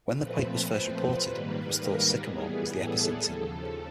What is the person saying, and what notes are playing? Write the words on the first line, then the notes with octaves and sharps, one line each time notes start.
When the quake was first reported, it was thought Sycamore was the epicenter.
A#2 F3 A3 C4 B4
C5
G#2 D#3 G3 A#3 B4
A#4
A2 E3 G3 B3 G#4
A4
D#2 C#3 F3